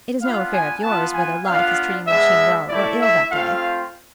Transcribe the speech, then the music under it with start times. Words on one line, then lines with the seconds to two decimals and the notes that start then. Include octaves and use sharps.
It is no affair of yours whether life is treating the machine well or ill that day.
0.22 B3 D4 F4 F5
0.53 G#5
0.83 B3 F4 A5
1.15 G#5
1.45 B3 D4 F4 F5
2.07 G#3 B3 D4 E5
2.69 A3 E4 D5
3.01 E5
3.31 A3 C4 F4 F5